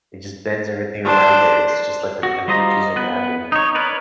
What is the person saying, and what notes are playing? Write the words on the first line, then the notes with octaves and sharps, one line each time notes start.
It just bends everything around it. It's just like an empty piece of gravity.
D4 C5
F#4
G3 F4 C5 D#5 A#5
B3 B4
D#4 C#5
A#4 B4 C#5 D5